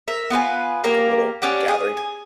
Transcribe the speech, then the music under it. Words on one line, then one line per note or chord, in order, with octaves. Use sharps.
Like a little, gathering,
A#4 E5
B3 F4 B4 G#5
A#3 G4 A#4 F5
C#4 D4 G4 F#5
G#4 D#6
G#5